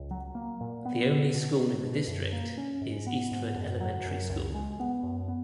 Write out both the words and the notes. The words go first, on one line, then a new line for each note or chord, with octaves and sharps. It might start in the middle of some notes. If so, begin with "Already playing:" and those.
The only school in the district is Eastford Elementary School.
Already playing: C#2
F#3
A#3
A#2
B3
A#2
B2
B3
B2
F#2
A#3
C#4
G#2
B3
G#2
F#2
F#3
F#2
C#2
G#3
B3
F#2
B3